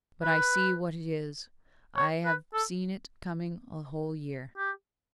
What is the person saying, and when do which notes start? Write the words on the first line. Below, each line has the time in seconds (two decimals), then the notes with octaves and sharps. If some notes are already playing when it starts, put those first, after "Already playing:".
But I see what it is--I have seen it coming a whole year.
0.23 B4
1.97 C#5
2.25 B4
2.54 A4
4.58 G4